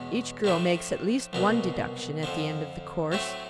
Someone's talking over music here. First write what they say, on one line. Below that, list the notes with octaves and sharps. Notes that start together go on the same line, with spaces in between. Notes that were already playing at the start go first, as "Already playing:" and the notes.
Each girl makes at least one deduction at the end of the course.
Already playing: E2 B2 G#3 C#4
A2 F3 A3 D4
C2 B2 F#3 A#3
F2 D3 F3
A2 F#3 A3 C4 E4